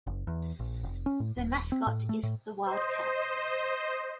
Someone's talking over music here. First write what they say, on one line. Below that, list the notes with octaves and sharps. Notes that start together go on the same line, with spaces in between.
The mascot is the Wildcat.
F#1
E2
A#1
F1
C#4
A2
D#1
C4
A2
A3
A2
C5 D#5